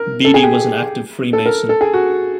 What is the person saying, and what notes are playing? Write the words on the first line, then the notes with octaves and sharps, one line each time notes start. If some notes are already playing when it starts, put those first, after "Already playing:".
Beedy was an active Freemason.
Already playing: A#4
A4
G#4
G4
A4
A#4
A4
G#4
F#4